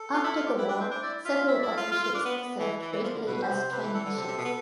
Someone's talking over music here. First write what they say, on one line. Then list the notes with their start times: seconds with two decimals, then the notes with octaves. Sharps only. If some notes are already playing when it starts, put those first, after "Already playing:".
After the war, several of the ships served briefly as training ships.
Already playing: A4
0.13 F4
0.24 E4
0.36 F4
0.47 G4
0.58 E4 B4
0.68 D4 B4
0.80 C4 C5
0.91 D4 C5
1.02 E4 D5
1.25 F4 E5
1.36 F5
1.47 E4 E5
1.58 E4 D5
1.70 F5
1.77 F4
1.91 F4
2.04 F4
2.14 D4
2.25 B3
2.37 B3
2.59 E3
2.81 E3
2.92 E3
3.04 F3
3.14 D3
3.26 B2 B4
3.36 B4
3.41 C5
3.48 C3
3.56 C5
3.71 C3 B4
3.83 E3
3.93 E3 A4
4.05 D3
4.16 C3
4.27 C3
4.38 B2
4.45 B3